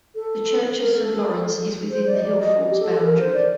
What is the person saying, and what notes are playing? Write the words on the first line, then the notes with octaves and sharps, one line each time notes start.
The church of Saint Lawrence is within the hillfort's boundary.
A4
A#4
A4
C5
D5
D#5
D5
D#5
G4
A4
A4
A#4
C5
D5